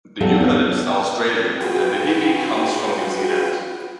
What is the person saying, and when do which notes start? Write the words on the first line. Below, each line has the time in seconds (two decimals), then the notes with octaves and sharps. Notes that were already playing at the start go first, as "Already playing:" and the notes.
The eucalypts are Australian; and the hebe comes from New Zealand.
0.21 E2 F#3 F4 G4 A4
0.41 B3 C#5
1.60 F4 F#4 G#4 B4 G5